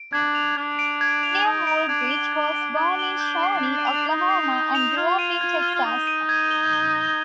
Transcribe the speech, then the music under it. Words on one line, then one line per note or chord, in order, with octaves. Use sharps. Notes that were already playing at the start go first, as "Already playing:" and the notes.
William Wooldridge was born in Shawnee, Oklahoma, and grew up in Texas.
Already playing: D7
D4 G#6
F7
D4 G#6
D7
G#6
F7
D#4 G#6
D7
D4 G#6
G7
G#6
D7
G#6
G7
G6
C7
G6
F7
D#4 G6
C7
G6
F7
F4 G#6
D#7
G#6
G7
F4
D#4 G#6
D#7
G#6
G7
G7
A#6